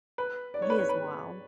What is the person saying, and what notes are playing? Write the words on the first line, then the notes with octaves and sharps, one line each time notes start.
He is wild.
B4
D5
C#5
B4
C#5
B4